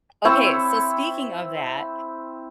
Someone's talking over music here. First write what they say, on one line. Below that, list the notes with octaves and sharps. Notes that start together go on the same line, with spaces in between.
Okay, so speaking of that,
C4 E4 C#6 E6